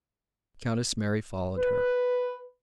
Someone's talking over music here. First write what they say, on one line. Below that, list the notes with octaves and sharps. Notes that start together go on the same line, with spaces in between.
Countess Mary followed her.
B4